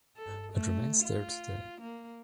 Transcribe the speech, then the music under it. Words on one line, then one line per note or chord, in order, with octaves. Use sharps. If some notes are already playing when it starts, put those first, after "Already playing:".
It remains there today.
A4
A3
F4
A#3